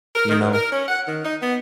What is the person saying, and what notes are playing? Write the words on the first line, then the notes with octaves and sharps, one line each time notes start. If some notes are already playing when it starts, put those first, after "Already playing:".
You know?
A#4
D#3
G2
A#4
C#4
F#5
D#3
D#4
B3